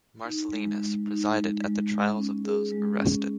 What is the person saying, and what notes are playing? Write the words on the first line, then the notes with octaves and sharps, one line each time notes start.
Marcellinus presided at the trials of those arrested.
D#4
G#3
G#3
D#4
G#3
G#3
G#3
C#4
G#4
G#3
C#4